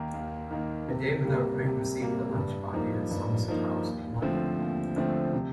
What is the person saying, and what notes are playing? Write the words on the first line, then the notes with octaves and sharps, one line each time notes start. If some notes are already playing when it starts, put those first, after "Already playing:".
"A Day Without Rain" received a launch party at Somerset House, London.
Already playing: D#2 D#3 A#3 D#4
D#2
D#3 A#3 D#4
C3
G3 A#3
C3
G3 A#3
G2
F3 A#3 D#4
G2
F3 A#3 D#4
D#2
D3 F3 A3 C4
D#2
D3 F3 A3 C4
C3